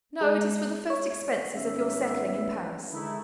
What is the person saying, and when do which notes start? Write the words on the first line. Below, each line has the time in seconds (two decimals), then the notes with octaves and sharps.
"No, it is for the first expenses of your settling in Paris."
0.21 G#3
0.90 C#5
1.53 G#1 B3 C#4 E5
2.90 D3 D#3 G#3 A3 D#4 E4